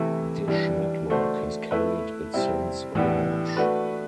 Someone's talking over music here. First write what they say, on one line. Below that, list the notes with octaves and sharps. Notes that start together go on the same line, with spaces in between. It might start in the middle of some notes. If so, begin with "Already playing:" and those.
Dish Network has carried it since launch.
Already playing: C3 E3 A3 E4
E3 G3 D4
A3 D4 F#4 C5
A3 E4 B4
C3 G3 C4 E4
A2 E3 B3 D4 G4
A3 D4 F#4 B4